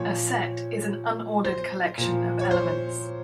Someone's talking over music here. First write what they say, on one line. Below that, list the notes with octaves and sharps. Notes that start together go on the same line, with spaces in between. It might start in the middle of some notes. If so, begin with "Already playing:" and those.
A set is an unordered collection of "elements".
Already playing: A#2 F3 C#5
C5
A#2 F3
C#5
C5